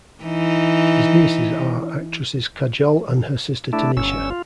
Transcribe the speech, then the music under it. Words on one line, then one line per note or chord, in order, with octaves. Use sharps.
His nieces are actresses Kajol and her sister Tanisha.
E3 D#4
A3 D4 E4
G1 C#4 E6
F4